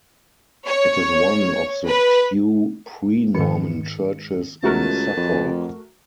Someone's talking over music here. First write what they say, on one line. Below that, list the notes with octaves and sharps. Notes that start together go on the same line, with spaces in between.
It is one of the few pre-Norman churches in Suffolk.
C#5
B4
G#2 D#3 C#7
C#2 A3 F#4 G#4 A#4 B4 A5
F2